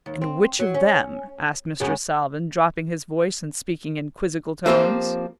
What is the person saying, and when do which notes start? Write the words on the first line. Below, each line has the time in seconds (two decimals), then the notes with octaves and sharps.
"And which of them ...?" asked Mr. Salvin, dropping his voice and speaking in quizzical tones.
0.06 D#2
0.21 C4
0.59 F#3
0.74 C#4
1.80 F#2 C#3 G#3
4.66 F3 A#3 C4 G4